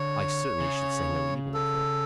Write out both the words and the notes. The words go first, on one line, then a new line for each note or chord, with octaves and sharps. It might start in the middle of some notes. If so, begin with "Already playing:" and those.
"I certainly shall say no evil of her."
Already playing: D3 C#5
C#3
A4